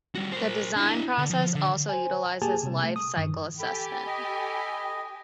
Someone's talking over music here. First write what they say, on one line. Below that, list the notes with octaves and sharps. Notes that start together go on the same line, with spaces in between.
The design process also utilizes life cycle assessment.
G3 F#4
A#4 C5
D4 E4
D3
F3
D3
C5 G#5
A#3 G4 G#4 G#5 A5
C3 G3
A3
D#6
G2 D#3 E3
G4 A4 G#5 B5
D#5